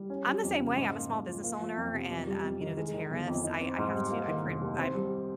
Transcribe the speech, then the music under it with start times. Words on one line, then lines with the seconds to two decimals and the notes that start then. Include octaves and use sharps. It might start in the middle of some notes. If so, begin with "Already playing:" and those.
I'm the same way. I'm a small business owner and, um, you know, the tariffs. I I have to I print I'm
Already playing: G3
0.10 C#4
0.27 G3
0.43 F2
0.60 C#3
0.76 G#2
0.93 A#3
1.09 G#2
1.27 F3
1.44 A#3
1.60 F3
1.77 F2
1.94 C3
2.10 F2
2.27 G3
2.44 F2
2.61 D#3
2.77 G#3
2.94 D#3
3.11 G1
3.27 F2
3.44 D#4
3.61 C4
3.78 G#2
3.94 G3
4.11 A#3
4.28 D#3
4.45 F1
4.61 D#2
4.78 C4
4.95 G3